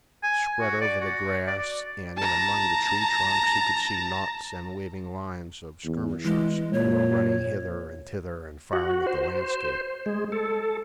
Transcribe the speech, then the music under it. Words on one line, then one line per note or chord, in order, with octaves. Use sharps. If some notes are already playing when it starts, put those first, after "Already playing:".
Spread over the grass and in among the tree trunks, he could see knots and waving lines of skirmishers who were running hither and thither and firing at the landscape.
G#5
F#4
D5
F#4
D5
D5
A5 A#5
E2
E3 G#3
A#2 C#5
F#4
C5
G#3
A4